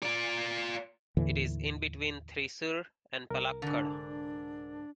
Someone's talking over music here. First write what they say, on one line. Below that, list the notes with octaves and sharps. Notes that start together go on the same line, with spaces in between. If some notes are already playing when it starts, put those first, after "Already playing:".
It is in between Thrissur and Palakkad.
F4 D5
D#2 A2 D3 E3
C2 A#4
G#2 D3 D4